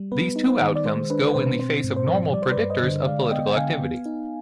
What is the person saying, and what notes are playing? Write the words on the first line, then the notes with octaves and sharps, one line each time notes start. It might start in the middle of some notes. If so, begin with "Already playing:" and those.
These two outcomes go in the face of normal predictors of political activity.
Already playing: G3
B3 B4
D#4
C5
D#3
D5
G#3 C5
D4 B4
B4
B2 C5
C4 C5
G#2
C5
F3
G3 D5
C5
B4 D5
G2
C5 D#5
D3
G#3 D5 F5
B3 D#5 G5
G5
D3 F5 G#5
B3
D#4